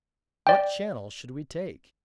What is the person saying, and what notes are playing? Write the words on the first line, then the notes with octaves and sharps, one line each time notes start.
What channel should we take?
D5 G5